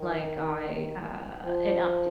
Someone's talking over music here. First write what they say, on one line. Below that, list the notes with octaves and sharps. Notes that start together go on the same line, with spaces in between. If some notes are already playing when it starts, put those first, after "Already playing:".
like, I, uh an update.
Already playing: D#3
F3